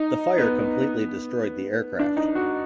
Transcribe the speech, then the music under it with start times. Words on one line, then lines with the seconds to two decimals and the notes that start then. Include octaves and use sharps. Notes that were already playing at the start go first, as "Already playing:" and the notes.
The fire completely destroyed the aircraft.
Already playing: D#4
0.38 B3
1.99 D4
2.17 D#4
2.35 F#4